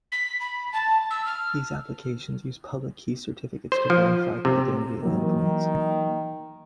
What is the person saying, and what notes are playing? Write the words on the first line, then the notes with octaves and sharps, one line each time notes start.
These applications use public key certificates to verify the identity of endpoints.
B6
B5
A5
E6
F6
C5
F3
C3
D#3 E3 F#3 A#3